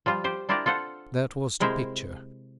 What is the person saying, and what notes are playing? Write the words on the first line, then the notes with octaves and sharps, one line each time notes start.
That was the picture!
F3 G3 F4
G4 C5
D4 E4 F4 G4 A#4 D5
F4 A4 C5 F#5
C3 G#3 E4 A#4 C5 E5